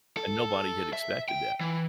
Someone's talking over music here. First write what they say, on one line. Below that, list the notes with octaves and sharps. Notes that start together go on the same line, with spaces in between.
and nobody had expected that.
A4
E5
G5
E3